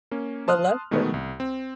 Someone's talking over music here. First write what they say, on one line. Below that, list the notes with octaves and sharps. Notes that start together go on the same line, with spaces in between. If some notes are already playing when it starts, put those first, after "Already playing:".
the lesson.
A#3 C#4
A5 C6 D#6 F6 F#6
B2 D#3 G#3 A3 B3
C2
C4